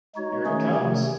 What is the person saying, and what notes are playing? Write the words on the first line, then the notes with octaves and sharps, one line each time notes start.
Here it comes!
G#3 D#4 F#4 C#5
D#3 A3 C#4 G#4 C#5
C3 D#3 A3